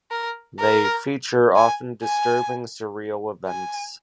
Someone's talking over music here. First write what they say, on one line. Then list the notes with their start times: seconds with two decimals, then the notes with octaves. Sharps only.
They feature often disturbing, surreal events.
0.11 A#4
0.60 A#4
1.56 G#5
2.03 G#5
3.48 G#5